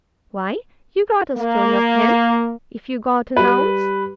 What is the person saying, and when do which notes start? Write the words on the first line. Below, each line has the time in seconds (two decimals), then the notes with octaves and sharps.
"Why, you got a stone of him, if you got an ounce."
1.37 A#3
3.36 G3 B4